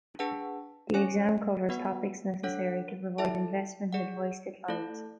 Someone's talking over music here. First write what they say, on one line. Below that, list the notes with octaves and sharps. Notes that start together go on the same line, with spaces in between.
The exam covers topics necessary to provide investment advice to clients.
D4 G#4 B4 F#5 A5
C#4 G#4 C#5 G#5
B3 F#4 B4 F#5
D4 A4 C#5 F#5
E4 A4 E5 A5
G#4 D5 F#5
A3 E4 A4 D5